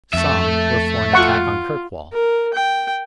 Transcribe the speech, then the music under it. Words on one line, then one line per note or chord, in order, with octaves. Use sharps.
Some were for an attack on Kirkwall.
F2 A3 E5
F4 F#5 C#6
A#4
G5